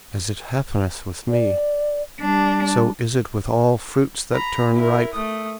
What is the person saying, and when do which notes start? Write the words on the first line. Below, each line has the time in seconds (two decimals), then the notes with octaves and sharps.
As it happeneth with me, so is it with all fruits that turn ripe.
1.30 D5
2.21 G3 D4
4.33 A#5 B5
4.75 E4 A#4
5.12 A3 D#6